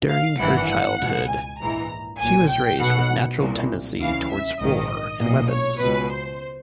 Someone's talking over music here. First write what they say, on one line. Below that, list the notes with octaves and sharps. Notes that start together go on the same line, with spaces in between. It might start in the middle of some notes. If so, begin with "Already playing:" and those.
During her childhood, she was raised with a natural tendency towards war and weapons.
F5
G#1 G2 E3 F#5
C#2 B2
G#5
A#1 G#2 E3 A#5
B1 A#2 G#5
G5
B1 B2 F#5
C2 A#2
D2 C#3 E3 F5
E5
A#1 G#2 D#3 D#5
B1 A#2
C#5
C#2 B2 B4
C5